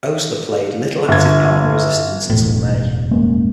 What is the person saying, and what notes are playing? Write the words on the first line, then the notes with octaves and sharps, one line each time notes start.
Oastler played little active part in the resistance until May.
G1 G#6
E1 F#2 A2
G#3 A#3 C#4